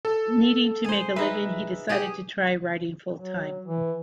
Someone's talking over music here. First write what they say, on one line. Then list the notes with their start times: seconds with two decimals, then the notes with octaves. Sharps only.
Needing to make a living, he decided to try writing full-time.
0.05 A4
0.84 G#4 C5
1.16 D#4 B4 E5
1.89 G4 G#4
3.16 F#3
3.66 E3